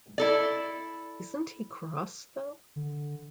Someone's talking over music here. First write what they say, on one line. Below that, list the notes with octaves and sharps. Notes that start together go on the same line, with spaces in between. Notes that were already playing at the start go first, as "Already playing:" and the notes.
Isn't he cross, though?
E4 A4 D5
D3